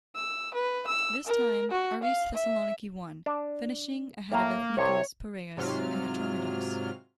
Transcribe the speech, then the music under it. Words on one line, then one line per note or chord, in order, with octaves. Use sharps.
This time, Aris Thessaloniki won, finishing ahead of Ethnikos Piraeus and Atromitos.
E6
B4
E6
A#4
F#4
F5
E5
D4
A2 A#3 A#5
C2 C3 C#5
G#2 C3 F#3 F4 F6